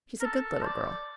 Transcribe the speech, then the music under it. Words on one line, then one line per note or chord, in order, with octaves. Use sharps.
She's a good little girl.'
A#4
A4
C5
D5